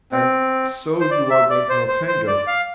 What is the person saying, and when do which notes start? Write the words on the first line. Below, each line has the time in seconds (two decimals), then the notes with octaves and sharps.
And so you are going to Northanger!
0.12 C4
1.00 C5
1.11 D5
1.30 E5
1.50 D5
1.69 C5
1.88 C5
2.08 C5
2.27 D5
2.47 F5